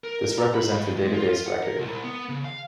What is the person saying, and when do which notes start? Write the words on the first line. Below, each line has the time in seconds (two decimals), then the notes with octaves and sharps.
This represents a database record.
0.04 A#4
0.38 A#5
0.54 B5
0.71 G2
0.96 G#3
1.13 F4
1.47 F#5
1.62 A#4
1.79 C2
2.04 B3
2.29 C#3
2.45 F5